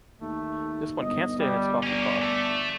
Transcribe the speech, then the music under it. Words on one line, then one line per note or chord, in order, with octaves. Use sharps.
This one can’t stay in its coffee pot!...
D#2 A3
G1 D#5
G3
A#3 C#4 D5
A3